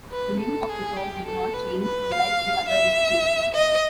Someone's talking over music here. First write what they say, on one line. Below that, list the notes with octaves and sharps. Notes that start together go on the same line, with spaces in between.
The name of the Court did not change unlike the other institutions.
B4
A4
G#4
G4
A4
B4
B4
F5
E5
D#5